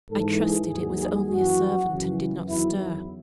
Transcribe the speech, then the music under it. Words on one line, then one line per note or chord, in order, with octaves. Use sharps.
I trusted it was only a servant, and did not stir.
G#2 E3 A4
G#4
D#2 D#3 F#3 G#4
G#4
F#2 E3 F#4
F#2 C#3 E3
E2 D#3 F#3 E4